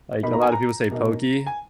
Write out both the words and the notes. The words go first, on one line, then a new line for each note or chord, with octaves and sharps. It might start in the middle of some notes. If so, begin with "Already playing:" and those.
Like, a lot of people say pokey,
B2 A#3 D#4 B5
A#5
G#5
A#5
B2 A#3 D#4
G#5